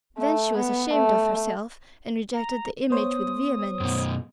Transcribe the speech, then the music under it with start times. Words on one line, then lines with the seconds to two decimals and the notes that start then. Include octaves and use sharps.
Then she was ashamed of herself and rejected the image with vehemence.
0.18 A3
0.58 B3
0.94 A3
2.34 A#5
2.90 B3 C5 C#5 D#6
3.80 F#2 B2